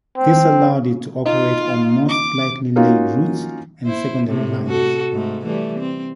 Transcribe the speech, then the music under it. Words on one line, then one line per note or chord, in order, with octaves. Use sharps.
This allowed it to operate on most lightly laid routes and secondary lines.
C4
D#4 F4
D6
A#3 C#4 D#4 F4 F#4
E4 C5
A2 C3 A3
F#4 A4
G#2 A3
E3 G3 A3
C4